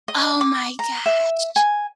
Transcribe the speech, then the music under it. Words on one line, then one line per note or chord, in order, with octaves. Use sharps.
Oh my gosh.
D#5
D6
A#5
E5
G#5